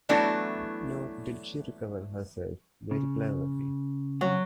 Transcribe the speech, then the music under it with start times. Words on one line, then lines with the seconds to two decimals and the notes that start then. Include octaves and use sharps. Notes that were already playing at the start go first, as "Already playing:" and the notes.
Nor did she recover herself very cleverly.
0.09 E3 F#3 A3 B3 D4 E4
2.91 C#3
4.21 F2 C#3 F#3 F#5